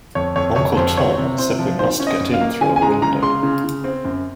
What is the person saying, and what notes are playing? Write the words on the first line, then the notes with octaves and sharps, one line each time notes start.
Uncle Tom said we must get in through a window.
F2 C#5
F2 C#5
F2 C#5
F2 C5
C4 C#5
C3
C3 C5
F3
D#3 C5
C#4
D#5
F#2
F5
A#3
C#3 G#5
G#5
G#3 A#5
C#3 A#5
C#3 C6
C#3
C#3
C4
F#2